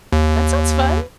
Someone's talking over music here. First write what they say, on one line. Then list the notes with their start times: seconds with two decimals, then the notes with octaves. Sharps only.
That sounds fun.
0.13 D#2